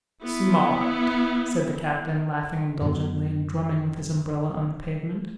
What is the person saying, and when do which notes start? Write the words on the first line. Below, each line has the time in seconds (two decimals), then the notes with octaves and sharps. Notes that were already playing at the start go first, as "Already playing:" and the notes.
"Smart," said the captain, laughing indulgently, and drumming with his umbrella on the pavement.
0.21 B3 E4
2.81 F#2 B2 F#3 B3